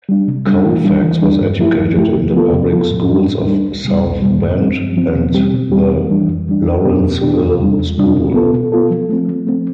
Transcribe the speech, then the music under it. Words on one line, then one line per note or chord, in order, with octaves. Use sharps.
Colfax was educated in the public schools of South Bend and the Lawrenceville School.
G3 D4
C3
G3 D4
E3
G3 D4
E3
G3 D4
G2
F3 A3 E4 G4
G2
F3 A3 E4 G4
C3
F3 B3 F4 A4
C3
F3 B3 F4 A4
A2
G3 D4
A2
G3 D4
C2
B2 G3
C2
B2 G3
G2
F3 C4
G2
F3 C4
B2
G3 C4 G4
B2
G3 C4 G4
F2
E3 G3 D4
F2
E3 G3 D4
E2
B2 B3 D4 G4
E2
B2 B3 D4 G4
E2
C3 G3 D4
E2
C3 G3 D4
B2
B3 F4 A4
B2
B3 F4 A4
F3
A3 C4
F3
A3 C4